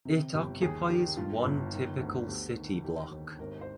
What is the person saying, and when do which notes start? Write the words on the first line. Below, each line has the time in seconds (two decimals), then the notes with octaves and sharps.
It occupies one typical city block.
0.05 C3
0.33 G1 G4
0.62 D#2 G#4
0.89 D#3 G4
1.17 G2 F4
1.44 G1
1.72 D#3
2.00 D2
2.28 D2 G4
2.56 D#3
2.84 D#3 G4
3.11 D#2
3.39 G#1 A#4
3.61 C5